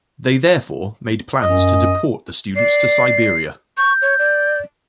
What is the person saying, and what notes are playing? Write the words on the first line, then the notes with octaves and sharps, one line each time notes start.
They therefore made plans to deport the students to Siberia.
F#2 D#5
D5 C7
C#6 G6
C#5
D5